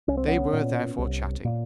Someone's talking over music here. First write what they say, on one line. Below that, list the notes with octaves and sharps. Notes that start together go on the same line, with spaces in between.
They were therefore chatting.
C2 C#4
C4
B3 C#4
A#2
C2
A#2